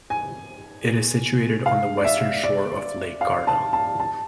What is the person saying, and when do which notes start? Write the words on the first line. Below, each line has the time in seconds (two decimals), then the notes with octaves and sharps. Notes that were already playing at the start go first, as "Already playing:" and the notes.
It is situated on the western shore of Lake Garda.
0.10 G#5
1.66 F5
1.97 D5
2.05 E5
2.44 D5
3.21 F5
3.47 A5
3.73 A5
3.99 A5